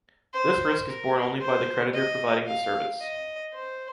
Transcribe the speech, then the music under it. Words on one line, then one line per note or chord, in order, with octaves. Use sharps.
This risk is borne only by the creditor providing the service.
C5
A#4
C5
D#5
F5
D#5
C5